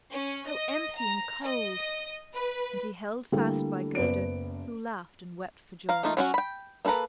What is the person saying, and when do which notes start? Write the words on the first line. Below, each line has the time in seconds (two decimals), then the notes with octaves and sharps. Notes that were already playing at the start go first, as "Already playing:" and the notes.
"How empty and cold!" And he held fast by Gerda, who laughed and wept for joy.
0.11 C#4
0.47 D#5
0.96 A#5
1.44 D#5
2.33 B4
3.32 D3 G3 A3 A#3 E4 A4
3.95 F#1 B3 D5 D7
5.89 F5 A#5
6.03 A3 A#3 D#4 F4
6.17 F#3 C#4 F#4
6.34 G5 B5
6.85 A#3 E4 A4 B4 A#5